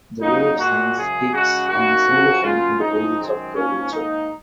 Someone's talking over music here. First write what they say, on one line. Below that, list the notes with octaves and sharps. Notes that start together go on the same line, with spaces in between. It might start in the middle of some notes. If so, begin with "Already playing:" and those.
The law of sines takes on a similar form in the presence of curvature.
C#3 F#3 A#3 D#4
A#2 G#3 F#4
F#2 C#3 G#3 G#4
C#3 G#3 F#4
F#2 D#3 A#3 F#4
F#2 C#3 F3
C#3 F#3 A#3 F4
F#2 F3 G#3 D#4
F#2 D#3 G#3 C4
G#2 F3 A#3 C#4
G#2 D#3 A#3 D#4